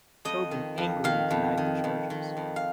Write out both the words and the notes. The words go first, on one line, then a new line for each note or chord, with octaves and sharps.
Tobin angrily denied the charges.
F2 D#5
D#3
F2
D#3 F5
F2
D#3
F2
D#3
F2
F5